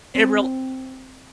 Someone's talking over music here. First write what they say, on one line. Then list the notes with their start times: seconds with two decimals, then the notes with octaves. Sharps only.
it real
0.15 C4